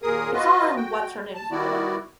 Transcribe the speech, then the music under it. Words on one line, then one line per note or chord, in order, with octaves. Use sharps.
It's all in what's-her-name's book.
D#2 A#2 G#4 A#4 D#6
F4 F#4 B4 D#5
F#4 G5
A5
D#3 G3 B3 E4 F#4 D5